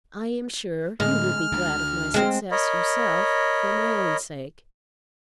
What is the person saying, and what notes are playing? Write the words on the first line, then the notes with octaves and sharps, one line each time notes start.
I am sure you will be glad of my success yourself, for my own sake.
A2 D3 G#3 F6
D2
G#3 C4
A#4 C#5 D#5 B5